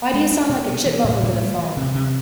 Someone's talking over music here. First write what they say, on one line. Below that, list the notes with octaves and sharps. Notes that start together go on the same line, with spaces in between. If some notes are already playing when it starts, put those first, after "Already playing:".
Why do you sound like a chipmunk over the phone?
G#3
D4
B2
B3
E3
A2
A2
G3
E3
C3
C3